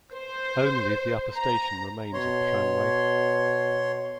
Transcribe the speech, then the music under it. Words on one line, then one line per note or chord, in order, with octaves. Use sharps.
Only the upper station remains of the tramway.
C5
A#5
B2 C#5 C6